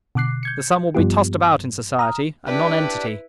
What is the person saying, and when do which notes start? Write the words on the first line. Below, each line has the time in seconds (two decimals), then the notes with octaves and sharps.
The son will be tossed about in society, a nonentity.
0.15 B2 D3 D6 F#6 C7
0.43 G6 G#6 C#7
0.95 G2 F3 G3 B3 F4 G4
1.99 A#5 D#6 F6
2.46 D4 E4 G4 B4